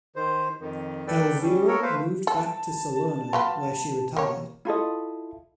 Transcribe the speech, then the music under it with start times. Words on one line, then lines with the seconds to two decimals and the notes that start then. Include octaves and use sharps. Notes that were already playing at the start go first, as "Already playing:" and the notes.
Elvira moved back to Salerno where she retired.
0.16 D#3 C5
0.60 F2 D#3
1.07 A4 B4 D5 G5
1.41 G3 C#4
1.67 A4 A#4 C#5
1.82 A3 B4 C5 F5
2.27 A4 A5
3.33 F#3 F4 B4
4.17 A#3 C#5
4.65 E4 F4 A4 D#5